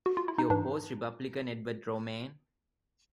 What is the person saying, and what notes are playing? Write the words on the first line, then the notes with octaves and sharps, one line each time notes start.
He opposed Republican Edward Romaine.
F#4
F4
E4
D#4
G#2 E3 D4